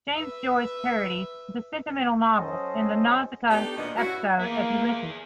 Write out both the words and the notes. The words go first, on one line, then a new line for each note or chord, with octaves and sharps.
James Joyce parodies the sentimental novel in the "Nausicaa" episode of "Ulysses".
B4 E5
F#3 C#4 A4 C5 D#5
A3 B3 D4 D#4 G4
D2 A#2 D#3 B3 D4 D#5
G2 C#4 E4 F#4
A#3 E4 G#4